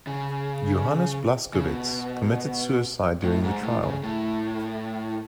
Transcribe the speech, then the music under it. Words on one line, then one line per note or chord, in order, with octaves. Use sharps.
Johannes Blaskowitz committed suicide during the trial.
C#3
C#3
B2
A2
G#2
A2
C#3
A2